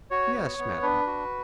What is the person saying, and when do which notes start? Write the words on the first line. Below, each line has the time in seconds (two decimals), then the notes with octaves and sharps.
"Yes, madam."
0.11 F#4 C#5
0.34 B3
0.59 B3
0.82 D4 B4
1.07 F#4